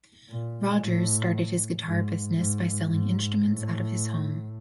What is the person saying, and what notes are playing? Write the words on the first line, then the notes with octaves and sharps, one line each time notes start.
Rogers started his guitar business by selling instruments out of his home.
A#2
A2
G#2
G#2
G#2
A2